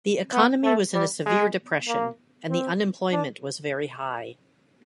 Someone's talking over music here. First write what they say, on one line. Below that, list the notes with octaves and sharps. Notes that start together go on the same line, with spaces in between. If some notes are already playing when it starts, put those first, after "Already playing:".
The economy was in a severe depression and the unemployment was very high.
B3
A3
G3
G#3
A#3
C4
D4